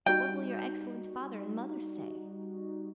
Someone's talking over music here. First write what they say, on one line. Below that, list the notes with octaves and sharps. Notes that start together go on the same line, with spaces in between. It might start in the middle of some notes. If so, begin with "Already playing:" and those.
But what will your excellent father and mother say?
G3 D#4 F#4 G5